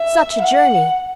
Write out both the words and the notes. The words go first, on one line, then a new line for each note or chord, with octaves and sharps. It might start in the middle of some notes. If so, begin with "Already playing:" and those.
"Such a journey!"
Already playing: E5
F#5